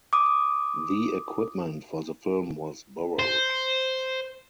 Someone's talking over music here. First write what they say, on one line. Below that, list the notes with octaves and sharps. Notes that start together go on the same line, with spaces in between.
The equipment for the film was borrowed.
D6 D#6
C5